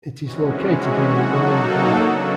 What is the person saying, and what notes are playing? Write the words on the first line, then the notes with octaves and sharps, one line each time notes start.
It is located in the Noye valley.
C3 E3 G#3 C#4 F#4
F#3 A#3 D#4 F#4 A4
C#3 F#3 B3 D4 F#4